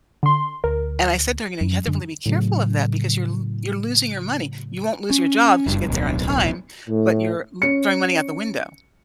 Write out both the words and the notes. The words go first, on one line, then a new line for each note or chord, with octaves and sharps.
And I said to her, "You know, you have to really be careful of that because you're lo you're losing your money. You won't lose your job, 'cause you get there on time, but you're lo throwing money out the window."
D3 C6
D2 A#4
F#2
F#2 D3
A2 C#3 F#3
C#4
F#1 G2
D1 B1
A2
C#4 C#7